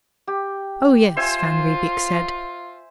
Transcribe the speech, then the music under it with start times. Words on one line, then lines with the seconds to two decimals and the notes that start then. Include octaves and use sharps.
"Oh, yes," van Riebeek said.
0.27 G4
1.17 F4 C5 E5 G#5